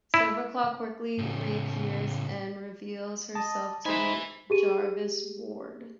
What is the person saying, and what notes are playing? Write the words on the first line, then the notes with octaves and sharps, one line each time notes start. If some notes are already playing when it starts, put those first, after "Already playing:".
Silverclaw quickly reappears and reveals herself to be Jarvis' ward.
E4
A2 C#3
D#5 A5
D#4 C5 D#5 E5 G#5 B5
G4 G#4 D#7